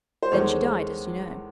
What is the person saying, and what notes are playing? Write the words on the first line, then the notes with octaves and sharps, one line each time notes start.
Then she died, as you know.
C5
E2 D#3 G#3 A4 C#5